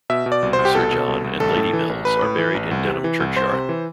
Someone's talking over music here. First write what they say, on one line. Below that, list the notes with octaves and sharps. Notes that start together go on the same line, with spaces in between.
Sir John and Lady Mills are buried in Denham Churchyard.
B2 E5
B2
D5
C2
C5
C2
G4
B2 A4
B2
C2
C2
A1 A4
A2
E3
A1
A1 B4
A2
E3
A1
C2
C3
E3
C2
C2 C5
C3
E3